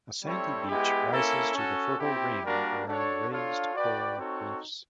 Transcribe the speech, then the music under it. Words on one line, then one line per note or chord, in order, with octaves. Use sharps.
A sandy beach rises to the fertile ring around raised coral reefs.
G3 C4 E4 A4 C#5
G#3 B3 E4 G4
A#3 C#4 E4 A4
C#4 F#4 A4
C4 E4 G4
G3 A#3 D4 F#4 A#4
D4 F#4 A4 C#5
D4 F4 A4 C#5 F5
F#4 B4 D5 G5
C4 D#4 F#4 A4 C#5